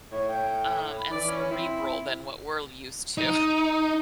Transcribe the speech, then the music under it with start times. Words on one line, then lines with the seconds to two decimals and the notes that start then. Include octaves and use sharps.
Um, and cerebral than what we're used to
0.11 A2 C#5
0.29 G5
0.96 B5
1.11 E3 D5
1.29 C#4
1.51 C4 E4
3.18 D#4